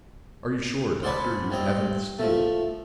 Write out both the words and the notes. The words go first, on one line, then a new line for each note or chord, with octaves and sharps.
"Are you sure, Doctor, you haven't the steel?"
C5 D5 F#5 G#5 A5 B5
G2 C4 D#5
F3 A3